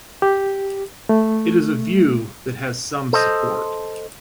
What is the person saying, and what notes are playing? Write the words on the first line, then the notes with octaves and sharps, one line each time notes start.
It is a view that has some support.
G4
A3
A4 C5 D#5